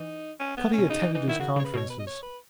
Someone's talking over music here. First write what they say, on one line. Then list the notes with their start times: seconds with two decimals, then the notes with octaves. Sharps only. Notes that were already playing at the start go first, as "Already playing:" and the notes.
Cutty attended his conferences.
Already playing: E3 D#4
0.40 C#4
0.57 B3
0.73 C#4
0.78 B2
0.89 C#3 D#4
1.02 E3
1.14 E3 D#4
1.27 D#3 E4
1.40 C#3 F#4
1.56 C#3 C#5
1.65 B4
1.74 B2 C#5
1.90 B4
1.99 D#5
2.07 C#5
2.23 B4